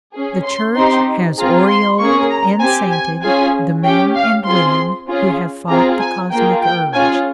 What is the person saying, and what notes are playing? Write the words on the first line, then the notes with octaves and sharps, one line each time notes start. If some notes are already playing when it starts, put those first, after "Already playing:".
The church has aureoled and sainted the men and women who have fought the Cosmic Urge.
C#4 G#4
C6
C4 D#4 G4 C6
C4 F4 G#4 A#5
C6
A#3 C#4 G#4 C#6
A#5
C4 G4 G#5
G#5
C#4 F4 G#4 G#5
C#4 G4 G5
F5
C4 F4 G#4 C6
C#4 F4 G#4
C4 F4 G#4 A#5
G#5
A#3 F4 G#4 G5
G5
C#4 F4 G#4 G#5